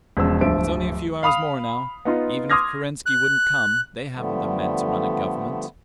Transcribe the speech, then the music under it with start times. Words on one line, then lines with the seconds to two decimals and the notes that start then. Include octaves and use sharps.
It's only a few hours more, now. Even if Kerensky wouldn't come they haven't the men to run a Government.
0.17 E1 C#3 F3 E6
0.41 D1 G2 F3 C5 E5 D7
1.23 F5 B5 D#6 F7
2.05 B3 D#4 F4
2.50 C6 D6 D#6 F6 G#6 A#6
3.06 F#6
4.16 D3 F3 G3 A3 B3